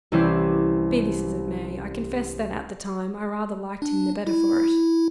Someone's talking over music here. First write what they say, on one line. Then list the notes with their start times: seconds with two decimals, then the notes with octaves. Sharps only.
Be this as it may, I confess that, at the time, I rather liked him the better for it.
0.12 C2 E3 C#4 E4 G4 C7
3.82 D4
4.27 E4